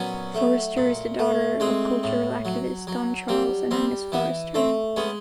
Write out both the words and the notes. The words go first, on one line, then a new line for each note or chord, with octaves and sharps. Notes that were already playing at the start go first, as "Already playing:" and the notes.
Forrester is the daughter of cultural activist Don Charles and Agnes Forrester.
Already playing: A#2 F#3 B3 C#4
A3
A#2
A3
G#3 C4
A2
F#3
F#3
G3 C4
G3 C4
E3 B3
A3 C4
G#3 B3 C#4